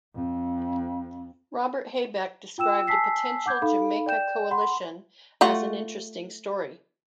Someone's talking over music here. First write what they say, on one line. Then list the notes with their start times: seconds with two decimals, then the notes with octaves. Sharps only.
Robert Habeck described a potential Jamaica coalition as an interesting story.
0.15 F2
2.58 F4 G5 E6 E7
2.88 G#5 A5 E6 B6 C7
3.46 F#5 D6 G6 G#6
3.62 D#4 A4 F5 B5
4.06 D5 G5 G6 E7
4.51 F#5 B5 C6
5.41 A3 F4 F#4